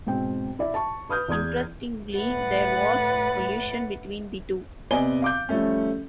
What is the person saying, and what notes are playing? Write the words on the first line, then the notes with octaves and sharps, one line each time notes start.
Interestingly, there was collusion between the two.
G#2 B2 C4 G5
E4 D5 E5
A5 C#6
B4 D#6 F6 G6
E2 D5 D#6 G#6
A2 B4 F#5 A6
C3 B3 D5 D#5 G#5 G7
F5 D6 G6
F3 G3 A3 C#4